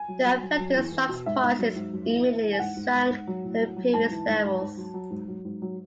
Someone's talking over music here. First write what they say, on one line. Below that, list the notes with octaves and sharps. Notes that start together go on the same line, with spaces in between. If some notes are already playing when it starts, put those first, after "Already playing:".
The affected stocks' prices immediately sank to their previous levels.
Already playing: G#5
F#3
F#3
F#3
F#3
E2
E2
B2
G#2 E5
G#2
F#3
G#2
F#2
E3
E3
E3
G#5
G#2 F#5
G#2
G#2
G#2
F#3
A2
F#3
F#3
G#2 A5
E3
G#2
G#2
G#2
F#3
F#3
G#2
F#3
G#2
F#3